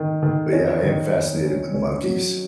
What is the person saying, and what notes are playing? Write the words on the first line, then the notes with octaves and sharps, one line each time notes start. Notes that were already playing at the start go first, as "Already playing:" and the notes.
but, yeah, I am fascinated with monkeys.
Already playing: D#3
D#3
C#4
D#3
C#4
C#4
C#4
F#3